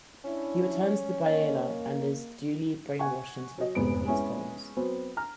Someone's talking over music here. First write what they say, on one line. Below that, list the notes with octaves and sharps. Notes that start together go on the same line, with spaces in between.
He returns to Biayla and is duly brainwashed into the Queen Bee's goals.
C#4 D4 E4
A#3 D#5
F#5 G#5 C#6
F#3 D#5
F1 E2 G#2 B3 D7
G#3 B3 C#4 E4
F#3 B3 C4
A#5 F6